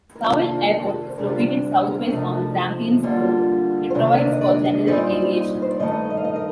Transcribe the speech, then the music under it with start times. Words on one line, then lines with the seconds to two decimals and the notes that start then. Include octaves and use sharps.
Stawell Airport is located southwest on Grampians Road; it provides for general aviation.
0.15 A#4
0.26 C3 D#3 A#3 D4 F4 A4
0.72 F4
1.09 C5
1.18 D2 C3 G3 D4 A#4
1.29 F4
1.41 G4
1.88 A#4
2.11 C3 F3 A3 D#4
3.03 D3 G3 A#3 F4
3.90 C5
3.94 D2 C3 D#3 A#3 D4 A#4
4.18 D5
4.32 D#5
4.41 D5
4.64 D#5
4.87 A#2 G3 C4 D#4 D5
5.62 C5
5.71 D5
5.80 G2 D#3 A3 D#4 D#5
6.10 D#5
6.17 F5
6.24 D#5
6.36 A#4